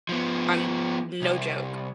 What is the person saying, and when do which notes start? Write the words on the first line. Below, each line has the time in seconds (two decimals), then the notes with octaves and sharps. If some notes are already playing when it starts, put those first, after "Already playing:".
I'm no joke.
0.09 F3 B3
1.22 C2